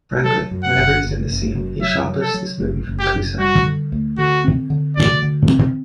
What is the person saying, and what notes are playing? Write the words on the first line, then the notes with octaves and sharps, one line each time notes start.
Frankly, whenever he's in the scene, he shoplifts this movie from Cusack.
F#3 A4
F#2
F#5
F#1
F#1
F#1
F#2
F#3 E5
F#3
A4
F#3
F#1
F#1
G4
F#2
G3 F#4
D3
D2
D3 F#4
C4
D3
D2 D5
D3
C4